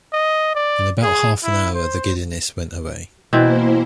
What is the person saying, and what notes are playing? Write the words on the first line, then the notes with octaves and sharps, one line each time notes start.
In about half an hour the giddiness went away.
D#5
D5
G#4
E4
C5
B2 E3 A#3 C4 E4 C5